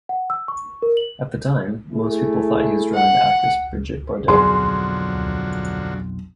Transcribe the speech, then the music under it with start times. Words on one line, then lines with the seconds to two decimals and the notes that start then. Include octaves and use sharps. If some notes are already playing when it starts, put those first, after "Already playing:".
At the time, most people thought he was drawing the actress Brigitte Bardot.
0.09 F#5
0.30 E6
0.48 C#6
0.82 A#4
0.97 F#7
1.93 A3 E4 G#4
2.95 F#5
4.28 B1 F2 D3 F3 F#3 G#4 C6